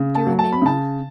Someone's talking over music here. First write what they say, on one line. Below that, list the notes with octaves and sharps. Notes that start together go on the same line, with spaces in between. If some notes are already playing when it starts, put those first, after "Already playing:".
"Do you remember?"
Already playing: C#3
A5
F#3
A5
B5
C#3 A5